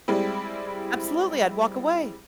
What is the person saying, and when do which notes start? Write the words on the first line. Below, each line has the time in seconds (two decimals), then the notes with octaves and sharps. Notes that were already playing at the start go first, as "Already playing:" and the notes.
Absolutely, I'd walk away.
0.08 G3 G#3 C4 E4